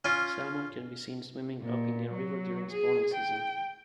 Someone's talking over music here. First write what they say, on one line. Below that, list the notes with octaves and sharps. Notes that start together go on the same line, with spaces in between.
Salmon can be seen swimming up Indian River during spawning season.
C#4 F4
A#2
F#3
G#4
G5